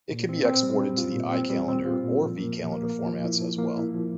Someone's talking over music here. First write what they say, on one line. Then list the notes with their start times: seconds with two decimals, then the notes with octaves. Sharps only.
It can be exported to the iCalendar or vCalendar formats as well.
0.11 A#2
0.29 C4
0.45 C4
0.63 G3
0.81 G3
0.98 F4
1.16 A#2
1.33 C4
1.50 G3
1.68 C4
1.85 F4
2.03 A#2
2.19 F3
2.38 A#3
2.54 F3
2.72 A#3
2.89 A#3
3.06 F3
3.25 E4
3.41 F3
3.59 A#3
3.77 E4
3.94 F3